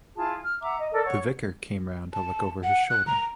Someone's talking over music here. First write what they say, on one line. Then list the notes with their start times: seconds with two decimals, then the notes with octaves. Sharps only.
The vicar came round to look over his shoulder.
0.16 E4 F4 G#4 A5
0.43 F6
0.62 E5 F#5 A#5 D6
0.78 D#5
0.92 A4 A#4 D5
1.04 C#5 F#5 C#6
2.13 A5
2.64 F#5
2.90 F#6
3.07 A#5